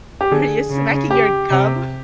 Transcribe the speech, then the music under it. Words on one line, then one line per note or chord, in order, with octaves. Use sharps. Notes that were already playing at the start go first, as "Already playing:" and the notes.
or you're smacking your gum,
G4
D3 G#4
C#3
G4
C3